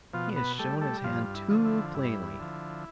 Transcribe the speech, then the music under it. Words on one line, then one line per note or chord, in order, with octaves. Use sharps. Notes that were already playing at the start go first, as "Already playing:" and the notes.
He has shown his hand too plainly.
B2 F3 F4
B3 B4
G3 A3 A4
A3 A4
G2 F3 F4
F4
E4
D3 F3
E4
G2 E4
D3 F3